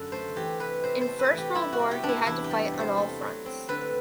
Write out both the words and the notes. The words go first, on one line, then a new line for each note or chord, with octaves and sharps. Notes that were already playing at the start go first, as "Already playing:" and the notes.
In First World War he had to fight on all fronts.
Already playing: F#2 D3 D4 A4
A3 C5
E3 G4
C3 B4
C3 C5
C5
A3
B4
E3
G4
G3 E4
F#4
C3
G4
B3 D4
E4
E2 E4
G4
G3
C3
C5
A3
F#3
C4
D3 B4